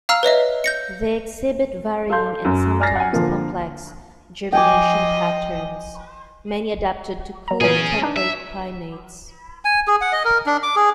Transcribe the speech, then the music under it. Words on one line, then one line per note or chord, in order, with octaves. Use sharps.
They exhibit varying and sometimes complex germination patterns, many adapted to cool temperate climates.
F5 A#5 E6 F6 C7
B4 C#5 D#5 E5
G6 A#6 C#7
A4 F5 C6 G6
F#2 F#4
D5 G#5 F6 A6 A#6 C7
F#5 G#5
D3 F3 A#3
F3 D#5 G5 G#5 D6
F#3 A#5
A#2 E3 F#3 C#4 G#4
D4 D#4 A5
E5
G#5
G#4
F#5
D#5
A#4
D4
D6
G#4